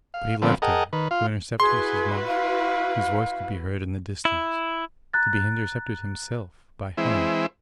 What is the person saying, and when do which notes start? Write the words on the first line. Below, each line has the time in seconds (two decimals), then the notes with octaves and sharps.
But he left her to intercept Mrs. Munt, whose voice could be heard in the distance: to be intercepted himself by Helen.
0.14 F5
0.42 D3 F3 A3 B3 C4
0.62 G#4 A#4 D#5 F#5 G5 A5
0.93 D#3 B4
1.11 F4 F5
1.60 E4 F#4 G#4 B4 C6
2.27 F5
4.25 E4
5.14 A#5 F#6 A6
6.97 E3 G#3 C4 E4